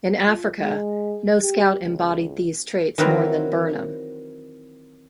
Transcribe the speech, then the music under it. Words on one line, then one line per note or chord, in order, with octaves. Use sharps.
In Africa, no scout embodied these traits more than Burnham.
F4
G#3
G4
C#2
D#3 E3 F#3 C4 B4 A#5